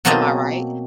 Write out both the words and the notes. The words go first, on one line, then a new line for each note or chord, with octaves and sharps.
Am I right?
B2 F#3 A#3 C4 D#5 A5